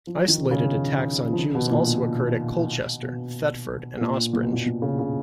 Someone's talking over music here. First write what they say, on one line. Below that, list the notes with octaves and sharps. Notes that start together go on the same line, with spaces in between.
Isolated attacks on Jews also occurred at Colchester, Thetford, and Ospringe.
F3
D#3
B2
C#3
F3
D#3
B2
A#2
B2
B2
A#2
A#2
B2
A#2
A#2
C#3
C#3